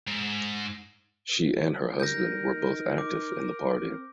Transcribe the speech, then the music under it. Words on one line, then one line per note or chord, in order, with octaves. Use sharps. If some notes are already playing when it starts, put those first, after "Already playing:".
She and her husband were both active in the party.
G#2
G3 A#4 G6 A#6
D#4
D6
C4